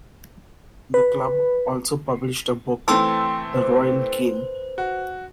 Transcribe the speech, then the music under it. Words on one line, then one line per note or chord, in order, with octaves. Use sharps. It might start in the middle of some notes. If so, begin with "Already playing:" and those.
The club also published a book, "The Royal Game".
B4
E3 A3 C4 G5 A5 C6 E6
B4 C5
F#4